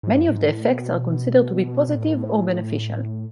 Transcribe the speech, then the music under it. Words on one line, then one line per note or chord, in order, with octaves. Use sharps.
Many of the effects are considered to be positive or beneficial.
G#2
F#2
A2
G#2
A2
B2
B2
A2